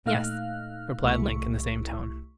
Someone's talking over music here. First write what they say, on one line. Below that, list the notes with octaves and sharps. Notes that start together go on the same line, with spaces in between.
"Yes," replied Link in the same tone.
A#2 A3 D#4 F5 F6 F#6
C2 A3 E4 C#6